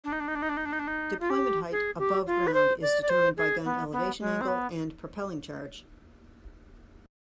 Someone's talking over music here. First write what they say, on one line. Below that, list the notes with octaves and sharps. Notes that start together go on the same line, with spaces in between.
Deployment height above ground is determined by gun elevation angle and propelling charge.
D4
D#4
D4
D#4
D4
D#4
D4
D#4
D4
D#4
D4
D#4
F4
G4
G#4
G4
F4
B4
C5
D5
D5
C5
G#4
B3
B3
G#3
C4
B3